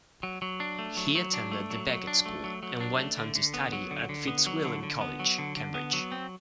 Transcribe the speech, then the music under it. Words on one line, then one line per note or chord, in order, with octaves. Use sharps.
He attended The Becket School and went on to study at Fitzwilliam College, Cambridge.
F#3
F#3
D4
A3
F#3
F#3
D4
A3
F#3
F#3
D4
A3
F#3
F#3
D4
A3
D3
D3
B3
F#3
D3
D3
B3
F#3
D3
D3
B3
F#3
D3
D3
B3
F#3
C4